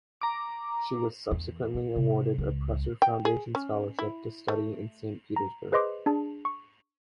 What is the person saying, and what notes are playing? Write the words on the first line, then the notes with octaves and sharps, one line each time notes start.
She was subsequently awarded a Presser Foundation Scholarship to study in Saint Petersburg.
A#5 D6
E2
C4
C3
C#2
G5
G#4
C#4
E4
A3
A#5
G#4 B4 C5 D#5 C6 D6
D4 G#4 A5
C#6